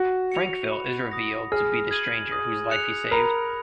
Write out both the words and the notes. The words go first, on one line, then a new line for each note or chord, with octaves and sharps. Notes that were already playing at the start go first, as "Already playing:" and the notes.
Frankville is revealed to be the stranger whose life he saved.
Already playing: F#4
C#7 F7
B5
D#6 A#6
G#4 F6
G#6 D#7 F#7
D#6
F#6 C#7 F7
A#4 B5